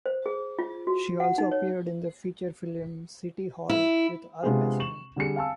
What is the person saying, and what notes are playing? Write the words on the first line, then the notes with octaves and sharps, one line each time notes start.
She also appeared in the feature film "City Hall" with Al Pacino.
C5
G#4
F4
F#4
F#5
D#4
C#5
E4
C3 G#3 B3 D4 F4 G#4
C#6 E7 F#7
D3 G3 G#4 C#7
F5 G#5 A5 E6